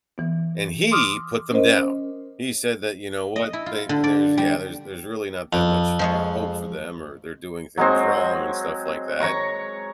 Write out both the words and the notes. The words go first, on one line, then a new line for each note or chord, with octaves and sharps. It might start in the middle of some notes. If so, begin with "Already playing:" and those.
And he put them down. He said that, "You know what? They there's, yeah, there's there's really not that much, you know, hope for them or they're doing things wrong and stuff like that."
E3 B3
C6 D6 D#6 F6
C#4 A#4 C5 D#5
D#5
E4
F4
D3
D5
G3
F2
F3 G#3 C#5
F#3 G#3 C4
C#5 A#5 C#6